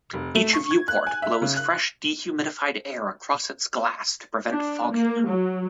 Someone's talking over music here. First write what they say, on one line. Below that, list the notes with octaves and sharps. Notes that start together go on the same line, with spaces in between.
Each viewport blows fresh dehumidified air across its glass to prevent fogging.
F1
A3
C#6
G#6
F#6
G#5
E5
C#3
F#6
D4
A#3
F#3